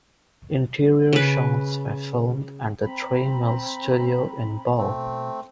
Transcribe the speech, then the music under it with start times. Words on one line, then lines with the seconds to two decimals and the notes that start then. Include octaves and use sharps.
Interior shots were filmed at the Three Mills Studios in Bow.
1.13 C#3 B4
2.82 C4 A#5 B5
4.78 B2 A3 C4